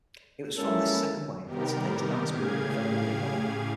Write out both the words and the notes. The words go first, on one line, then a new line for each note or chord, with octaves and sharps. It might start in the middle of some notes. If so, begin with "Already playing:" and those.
It was from this second wave that today's Dance Movement Therapy evolved.
G#3 A#3 C#4 E4 A4
C3 D#3 G3 B3 G4 A#4
A2 C#3 G4 G#4 F5 G#6